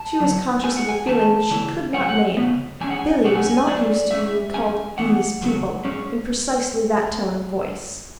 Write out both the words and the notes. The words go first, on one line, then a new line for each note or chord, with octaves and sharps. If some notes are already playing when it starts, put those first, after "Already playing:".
She was conscious of a feeling which she could not name: Billy was not used to being called "these people" in precisely that tone of voice.
Already playing: A5
F#2 D3 F#3
A2 G#3 B3 G#5
F#5
G#5
A2 E3 A3 C#4 A5
E2 C#3 E3
G#2 F#3 A3 F#5
F#5
C#3 E3 B3
E2 B2 G#3 C#4 G#5
F#5
G#5
B2 F#3 A3 C#4 F#5
G#5
G#5
G#5
A2 F#3 A3 C#4 D5
A2 G#3 C#4 E5
G#2 F#3 C#4 G#5
A2 E3 B3 F#5
E2 C#3 F#3 B3
G#2 G#3 C#4